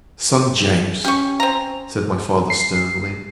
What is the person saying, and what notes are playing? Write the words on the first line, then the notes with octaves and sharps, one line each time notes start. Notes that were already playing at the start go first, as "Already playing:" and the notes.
Son James! said my father sternly.
C#4 G4 C#6
C4 A#5
C7